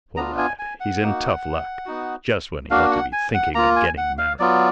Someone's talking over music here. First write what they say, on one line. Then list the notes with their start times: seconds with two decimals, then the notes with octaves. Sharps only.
Poor lad, he's in tough luck--just when he ought to be thinking of getting married.
0.17 B3 D4 F4 A#5
0.38 G#5
0.59 G#5
0.80 F#5
1.01 A#3 D#4 F#4
1.86 B3 D#4 F#4
2.70 A#3 D4 F#4 F5
2.91 F#5
3.13 G#5
3.34 F#5
3.55 A#3 F4 A#5
3.76 G#5
3.97 F#5
4.18 F5
4.39 F#3 B3 F4 D5